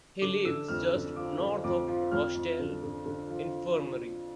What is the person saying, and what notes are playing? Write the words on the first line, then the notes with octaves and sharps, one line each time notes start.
He lives just north of Rochdale Infirmary.
D3 D6
D3 E6
F2 F6
D3
F3 D6
D3
F2 D6
F3
F2 F6
F2
D3
D3
D3
F3